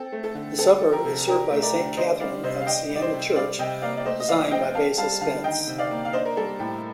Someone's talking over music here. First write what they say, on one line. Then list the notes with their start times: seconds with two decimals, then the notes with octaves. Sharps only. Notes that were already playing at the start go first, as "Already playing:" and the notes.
The suburb is served by Saint Catherine of Siena church, designed by Basil Spence.
Already playing: C4 A4
0.12 A3
0.24 A4
0.35 D3
0.58 C4 A4
0.82 F3
0.92 G4 A#4
1.05 C3
1.28 D4 G4 A#4
1.51 A3
1.62 A#4 D5
1.74 D3
1.97 D4 C5 D#5
2.20 G3 D5 F5
2.43 C3 C5 D#5
2.61 F5
2.67 D4 D#5 G5
2.90 G3
2.95 D5
3.01 C5 D#5
3.13 C3
3.36 G3 D5 F5
3.59 C3 D#5 G5
3.82 A#3 D5 F5
3.97 D5
4.05 A3 C5 D#5
4.20 D#5
4.28 F3 D5 F5
4.51 C4 D#5 G5
4.75 C4 F5 A5
4.98 G3 F5 A5
5.21 D3 F5 A5
5.44 D#3 D#5 G5
5.67 C3
5.78 D5 F5
5.91 A#3
6.05 F5
6.13 D4 C5 D#5
6.25 A#4
6.36 G3 A4
6.60 A2 G4